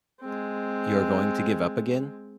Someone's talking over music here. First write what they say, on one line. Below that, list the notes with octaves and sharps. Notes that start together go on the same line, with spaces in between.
You're going to give up again?
G#3 C4